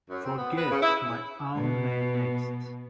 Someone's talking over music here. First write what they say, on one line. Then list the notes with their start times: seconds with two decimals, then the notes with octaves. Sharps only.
Forget my own name next.
0.10 F#2
0.25 C4
0.38 B3
0.58 B4
0.71 C#3
0.82 E4
1.57 B2